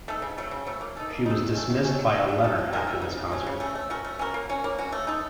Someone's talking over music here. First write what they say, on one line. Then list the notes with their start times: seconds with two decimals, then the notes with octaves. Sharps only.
She was dismissed by a letter after this concert.
0.08 A3 D#4 A4
0.22 C#3
0.38 F#3 A3
0.51 C#3
0.67 F#3 A3
0.81 A#3
0.97 D#4 A4
1.11 A#3
1.26 D#4 A4
1.40 D#3
1.54 A3 C#4
1.70 D#3
1.84 C#4
1.89 A3
1.99 F#3
2.14 A3 D#4 A4
2.28 F#3
2.44 A3 D#4 A4
2.58 A3
2.73 D#4 A#4
2.87 A3
3.02 D#4 A#4
3.17 C#3
3.32 A3 C#4
3.47 C#3
3.60 A3 C#4
3.75 A3
3.90 C#4 F#4 A#4
4.04 A3
4.19 C#4 F#4 A#4
4.34 A#3
4.49 C#4 F#4
4.64 A#3
4.78 C#4 F#4
4.92 A3
5.07 D#4 A4